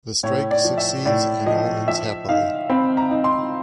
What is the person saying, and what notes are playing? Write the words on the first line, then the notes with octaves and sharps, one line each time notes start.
The strike succeeds, and all ends happily.
A2 C#5
D5
F3
E5
A2 D5
F3 D#5
F3 E5
D#4 F5
C4 B5
A#5
D#4
C6